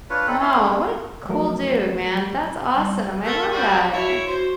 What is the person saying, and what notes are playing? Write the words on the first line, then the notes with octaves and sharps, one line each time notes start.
Wow, what a cool dude, man. That's awesome, I love that. And
D4 F4 B4 C#5
C4 D#4 A4 B5
E4 E5 C6
G#3 A3 C#4
G#4
F3 F#3 A3 A#4
G3
A3 A#4
G3 F#4
E4 F#4 C#5
F#4 C5